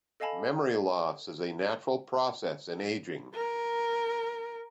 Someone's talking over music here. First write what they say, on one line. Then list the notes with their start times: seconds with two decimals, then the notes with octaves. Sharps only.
Memory loss is a natural process in aging.
0.20 A4 D#5 F5 G#5 A5 B5
3.34 A#4